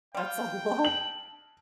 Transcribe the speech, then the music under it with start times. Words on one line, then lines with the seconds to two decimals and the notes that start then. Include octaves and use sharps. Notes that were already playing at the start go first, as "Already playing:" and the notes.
That's a lot.
0.15 G3 F4 F5 G5
0.85 A5 F#7